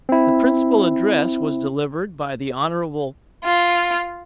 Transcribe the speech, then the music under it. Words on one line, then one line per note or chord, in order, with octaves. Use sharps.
The principal address was delivered by the Hon.
C4 E4
F4